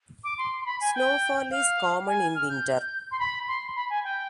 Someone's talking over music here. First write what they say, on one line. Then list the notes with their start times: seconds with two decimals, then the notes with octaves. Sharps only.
Snowfall is common in winter.
0.24 D6
0.38 C6
0.61 C6
0.66 B5
0.81 G#5
0.95 G5
1.50 F5
2.07 G#5
2.35 F6
2.49 G6
3.11 C6
3.19 B5
3.48 C6
3.75 B5
3.90 G#5
4.04 G5